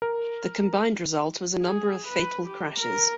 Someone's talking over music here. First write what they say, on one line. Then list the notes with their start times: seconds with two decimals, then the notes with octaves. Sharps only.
The combined result was a number of fatal crashes.
0.02 A#4
1.62 G#4
2.08 B4
2.46 G4
2.80 A#4